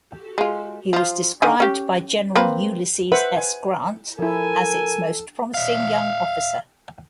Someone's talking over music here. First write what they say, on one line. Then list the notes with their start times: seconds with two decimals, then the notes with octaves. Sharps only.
He was described by General Ulysses S. Grant as its most promising young officer.
0.38 G#3 F4
0.93 F3 F4
1.42 D3 D#3 G#5
1.60 C#4 G4
2.35 A#3 C4 B4
3.12 B4 C5 E5 F#5
3.36 G#5
4.19 F3 E4 A4 A#4 G#5
5.54 E5 F5